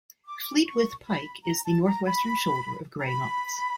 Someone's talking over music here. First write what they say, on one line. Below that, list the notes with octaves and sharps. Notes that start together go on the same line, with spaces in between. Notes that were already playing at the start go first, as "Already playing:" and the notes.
Fleetwith Pike is the north-western shoulder of Grey Knotts.
D6
C#6
B5
A#5
A5
A#5
B5
A#5
B5